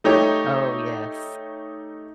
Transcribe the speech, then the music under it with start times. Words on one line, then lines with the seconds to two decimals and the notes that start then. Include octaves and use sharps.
Oh, yes.
0.04 A3 D#4 G4 C#5